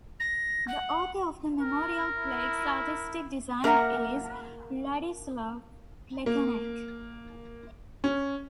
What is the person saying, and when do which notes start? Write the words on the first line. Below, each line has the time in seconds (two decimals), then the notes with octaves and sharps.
The author of the memorial plaque's artistic design is Vladislav Plekanec.
0.20 A#6
0.68 F#5
1.61 A#4
2.12 E4
3.64 A#3 A#4 E5 F#5
6.26 A#3
8.04 C#4